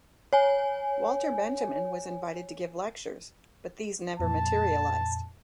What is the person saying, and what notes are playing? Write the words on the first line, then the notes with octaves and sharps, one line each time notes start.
Walter Benjamin was invited to give lectures, but these never materialized.
C#5 G#5
F2 A#2 A5